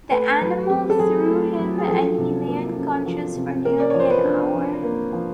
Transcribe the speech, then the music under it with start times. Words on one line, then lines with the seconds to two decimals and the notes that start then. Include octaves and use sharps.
The animal threw him and he lay unconscious for nearly an hour.
0.11 A3 B4
0.41 F#3 B4
0.70 C4 G4
0.90 A4
0.99 F#3 G#4
1.29 A3
1.59 F#3
1.78 G#4
1.88 F3 A4
2.18 C3
2.47 A#3
2.76 C#4
3.06 F3
3.36 C3
3.65 A#3 A#4
3.80 D5
3.90 F3 C#5
4.00 C5
4.10 B4
4.24 D4
4.54 F3
4.83 A#3
5.13 F3